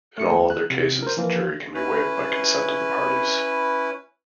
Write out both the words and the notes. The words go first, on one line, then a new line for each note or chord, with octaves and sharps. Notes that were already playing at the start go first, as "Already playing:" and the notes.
In all other cases, the jury can be waived by consent of the parties.
A3 C#7
D#2
F#6
C3
A#4 C5
E3 F3 A#3
C#4 E4 B4